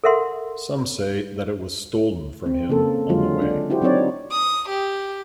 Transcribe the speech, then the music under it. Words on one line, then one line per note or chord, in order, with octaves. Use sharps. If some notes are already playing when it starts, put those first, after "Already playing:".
Some say that it was stolen from him on the way.
A4 A#4 E5 F#5 C6
C4
C#3 A#3 A4
D3 F#3 G#3 F4
D4
E4 F#4 G4 C5
F#3 C4 D#4 C#5 D5
D#6
G4